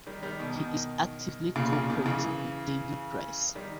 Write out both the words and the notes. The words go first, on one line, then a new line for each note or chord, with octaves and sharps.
He is actively cooperating with the daily press.
D#3 G3
D#3 G3
B2 D#3
B2 D#3
A#2 C#3
A#2 C#3
B2 D#3
C#3 E3
D#3 G3